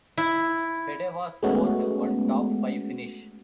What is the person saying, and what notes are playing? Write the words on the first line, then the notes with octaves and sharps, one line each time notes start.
Fedewa scored one top five finish.
E4
G#3 A3 B3 C#4 F#4